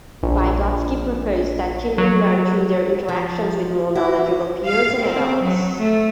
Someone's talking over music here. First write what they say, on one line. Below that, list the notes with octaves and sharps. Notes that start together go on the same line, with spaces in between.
Vygotsky proposed that children learn through their interactions with more knowledgeable peers and adults.
A#1
F#3
F3
E4 F#4
F5
C4
F#3
A3